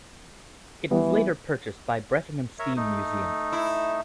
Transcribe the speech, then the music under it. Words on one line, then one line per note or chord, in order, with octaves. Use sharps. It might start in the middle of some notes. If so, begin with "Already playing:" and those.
It was later purchased by Bressingham Steam Museum.
E3 G3 B3
A#4 C#5 E5
A3 D#4
E4